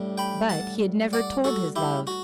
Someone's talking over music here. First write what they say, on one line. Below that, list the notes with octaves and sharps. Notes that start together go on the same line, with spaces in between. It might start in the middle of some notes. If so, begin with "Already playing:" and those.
But he had never told his love.
Already playing: A2 G3 D4
G5 B5
F#5 A5
D5 F#5
F#4 A4
E4 G4
F#4